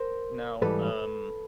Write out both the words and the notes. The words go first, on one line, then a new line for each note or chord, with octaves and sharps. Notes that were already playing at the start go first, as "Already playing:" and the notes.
Now, um,
Already playing: A#4 C5
G#2 E3 G3 A4 B4